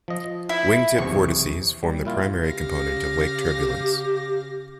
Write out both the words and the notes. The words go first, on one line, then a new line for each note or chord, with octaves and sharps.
Wingtip vortices form the primary component of wake turbulence.
F3 D#5
E4
B1 E2 C3 C#6
G3
A#2 E4 F4
C#3 G4 F5 A#6